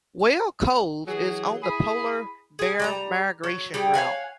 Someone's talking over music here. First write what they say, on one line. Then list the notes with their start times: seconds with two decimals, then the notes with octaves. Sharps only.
Whale Cove is on the polar bear migration route.
1.07 E3 F#3 G#4
1.62 E4 G#4 B5
2.59 G#4 G#5
2.79 G3 G#5 A#5
3.44 F#3
3.74 G3 G4 G#4
3.94 C#5 F5 F#5 G#5